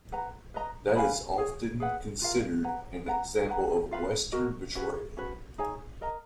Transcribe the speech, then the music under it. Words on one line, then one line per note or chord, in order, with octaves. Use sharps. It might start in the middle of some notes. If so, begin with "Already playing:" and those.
That is often considered an example of Western betrayal.
B4 F#5 A#5
B4 D#5 A#5
B4 F5 G#5 B5
G#4 C#5 G#5
G#4 B4 F#5
F4 A#4 F5
B4 F#5 A#5
B4 F#5 A#5
B4 F#5 A#5
F4 B4 F5 B5
F#4 A#4 D#5
C#4 F#4 B4
C#4 F#4 B4
D#4 G#4 C#5 G#5
A#4 D#5 A#5